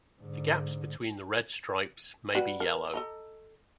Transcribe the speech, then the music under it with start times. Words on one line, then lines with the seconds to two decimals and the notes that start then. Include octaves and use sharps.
The gaps between the red stripes may be yellow.
0.21 G#2 D3
2.35 G3 F#4 B4
2.60 A#4
2.94 A4 D#5 A#5